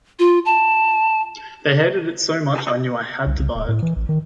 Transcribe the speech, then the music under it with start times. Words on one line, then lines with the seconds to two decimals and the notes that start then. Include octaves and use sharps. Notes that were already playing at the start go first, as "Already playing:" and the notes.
They hated it so much I knew I had to buy it.
0.19 F4
0.45 A5
3.26 C2
3.39 C2
3.55 D1
3.69 A2
3.82 E3
3.96 A1
4.09 D#3